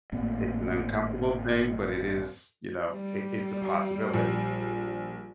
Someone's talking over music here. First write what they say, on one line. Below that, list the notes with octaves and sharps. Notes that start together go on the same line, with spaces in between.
It's an uncomfortable thing, but it is, you know, it it's a possibility.
G#1 A2 A#3 C4
G3
A#1